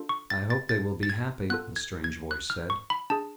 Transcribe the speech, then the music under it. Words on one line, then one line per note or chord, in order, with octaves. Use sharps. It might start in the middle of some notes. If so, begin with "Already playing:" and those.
"I hope they will be happy," a strange voice said.
Already playing: D4 F4 A4
C#6
A6
A6
A6
A6
G#6
B3 F4 A4 F#6
G#6
G#6
F#6
F6
C#6
B5
D4 G#4 A5